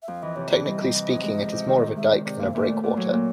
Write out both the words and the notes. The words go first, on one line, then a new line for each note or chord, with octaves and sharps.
Technically speaking, it is more of a dike than a breakwater.
E5
F2 F5
E3 D#5
C3 C#5
E3 D5
G3 D#5
C3
E3
F2
G#3
C3
C3
D#3
C3
G#3 E5
C3 D5
C3 D5
A#2 F5
A#2 E5
A3 D5
C#5
A#2 D5
F#3 C#5
A#2